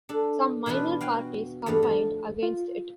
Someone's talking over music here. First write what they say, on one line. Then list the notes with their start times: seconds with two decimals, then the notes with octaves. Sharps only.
Some minor parties campaigned against it.
0.09 D4 A4
0.66 B2 E3 D4 F4 B4
1.01 F#4 F5 G5 G#5
1.66 E2 G2 A3 D5 F5
1.83 F3
2.43 F4